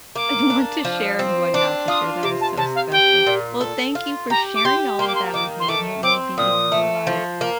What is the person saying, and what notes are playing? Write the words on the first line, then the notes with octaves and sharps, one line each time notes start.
And one to share and one not to share, that is so special. Well, thank you for sharing all of that with me. It ha made me even realize
A#3 D6
D4
F3
C4
D4 D6
F4 D#6
C3 D6
A5
C3 A5
F5
G4 G5
A#2
A4
F4
G4 A#5
D6
G4 C6
A#3 C6
D6
C6
D#3 D6
C6
A3 D6
C4 D6
A#2 D#6
A3
F3
A#3